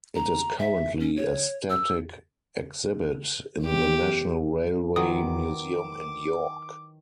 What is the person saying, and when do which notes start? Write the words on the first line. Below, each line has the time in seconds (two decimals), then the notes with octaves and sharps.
It is currently a static exhibit in the National Railway Museum in York.
0.15 A#5
0.59 E5
1.00 C#4
1.17 C#5
1.70 E6
3.62 E2 G4
4.96 D#3 E3 F#3 D6 D#6